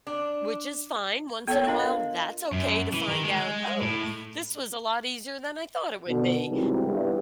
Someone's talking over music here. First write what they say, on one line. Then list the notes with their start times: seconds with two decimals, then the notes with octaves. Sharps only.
which is fine. Once in a while, that's okay to find out, "Oh, this was a lot easier than I thought it would be.
0.07 D4
1.47 B3 A4 C#5 G5
1.67 D4 F4 A#4 D#5
2.52 F#2
2.93 E3
3.09 D#3
3.25 G#3
3.82 A2
6.07 B2 D3
6.49 G#2 C3 D#3 E3 F#3 G3
6.86 G1 E2 G2